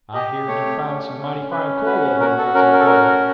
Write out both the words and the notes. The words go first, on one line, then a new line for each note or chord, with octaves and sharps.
"I heerd you found some mighty fine coal over in Lonesome Cove."
G4 D#5
A3 C#5
C#4
C#4
C#4 B4
F#4 B4
F#4 A#4
A4
C#4 A#4
A#4
A4
F#4 A#4